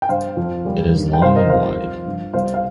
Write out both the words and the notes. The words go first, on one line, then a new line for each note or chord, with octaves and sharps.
It is long and wide.
G5
G2 G3 C5 F5
F2 F3
D#2 D#3 G3
G2 D#3 G3
G5
C2 C3 D#3 G3 C5 F5
A#4 D#5
F2 D#3 G3 C5 F5
F2 F3
G2 F3
C2 C3 G3 C5 F5
F5